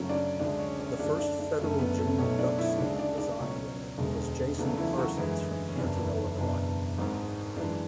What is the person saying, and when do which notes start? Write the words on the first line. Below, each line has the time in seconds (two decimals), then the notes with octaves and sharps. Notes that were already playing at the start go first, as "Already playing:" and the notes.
The first Federal Junior Duck Stamp design winner was Jason Parsons from Canton, Illinois.
Already playing: F#2 C#3 F#3 A3 C#4 C#5
0.09 D4 D5
0.40 D2 D3 G#3 D4 D5
0.58 C#4 C#5
0.79 C#4 C#5
0.99 F#2 D3 A3 D4 D5
1.18 D4 D5
1.39 D4 D5
1.58 F#1 F#2 D3 A3 C#4 C#5
1.79 B3 B4
1.99 A3 A4
2.18 B1 B2 F#3 A3 C#4 C#5
2.38 D4 D5
2.58 E4 E5
2.70 C#5
2.78 D2 C#3 G#3 D4 D5
2.99 D4 D5
3.18 D4 D5
3.38 C#2 B2 F#3 C#4 C#5
3.98 E1 D2 D3 G#3
4.58 E2 C#3 F#3 A3 D4
4.77 E3 E4
4.98 F#3 F#4
5.17 F#2 D3 E3 G#3 E4
5.68 C#4
5.77 F#1 E2 C#3 F#3 D4
5.97 E3 E4
6.17 D4
6.38 F#1 E2 B2 D4
6.98 G#1 G#2 G#3
7.57 F#2 E3 G#3 D4